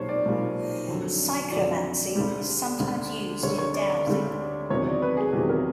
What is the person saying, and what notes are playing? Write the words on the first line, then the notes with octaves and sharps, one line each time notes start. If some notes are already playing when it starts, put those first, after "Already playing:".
Cyclomancy is sometimes used in Dowsing.
Already playing: B1 A#2 G3 C5 C#5
D5
B1 A#2 G3
F2 D3 F#3
F2 D3 F#3 D5
D2 D3 G3
D2 D3 G3
D2 D3 G3 C#5
C#5
D5
D5
D2 D3 G3
E2 C3 D#3 F#3 C#5
D5
B4
G#4
E2 C3 D#3 F#3 G4
A#4